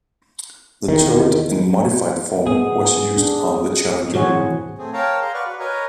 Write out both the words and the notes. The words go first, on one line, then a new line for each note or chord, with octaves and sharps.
The turret "in modified form" was used on the Challenger.
E2 D#3
B3 G#4
D4
C3 E3 F#3 G#4 C#5 F#5
A3 C4 G#4
A#4 C#5 F5 G5 A5 A#5
G#4 F5 A#5 C6
B4 D5 F5 F#5 C#6
F#4 B4
A#4 B4 C#5 D#5 G#5 A#5